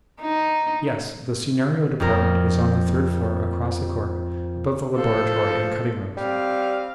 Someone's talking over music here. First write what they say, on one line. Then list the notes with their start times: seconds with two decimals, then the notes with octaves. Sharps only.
"Yes, the scenario department is on the third floor across the court, above the laboratory and cutting rooms."
0.21 D#4
2.00 F2 A#4
4.98 F3 A4
6.17 G3 C4 F5